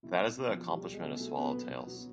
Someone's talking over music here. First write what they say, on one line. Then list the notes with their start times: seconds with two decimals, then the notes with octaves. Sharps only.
That is the accomplishment of "Swallow Tales".
0.03 B2 E4
0.20 B2
0.37 B3
0.48 F3 F4
0.53 F#3
0.70 B2 G3 G4
0.87 B2
0.93 G#3 G#4
1.04 B3
1.15 A3 A4
1.20 F#3
1.37 B2 B3 B4
1.54 B2
1.71 B3
1.87 F#3